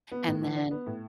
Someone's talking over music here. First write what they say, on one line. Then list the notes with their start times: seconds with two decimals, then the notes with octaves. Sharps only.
and then,
0.12 B3
0.27 A2
0.42 E3
0.56 D4
0.71 B3
0.86 A2